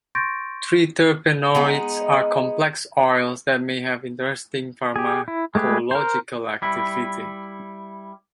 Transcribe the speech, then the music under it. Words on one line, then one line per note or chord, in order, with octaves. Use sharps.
Triterpenoids are complex oils that may have interesting pharmacological activity.
C6 C#6 G6 A6 A#6 D7
G#3 B3 D#4
G4 G#4
E4
G#3 A3 G4 G#4 B4
A#4 C5
G3 E4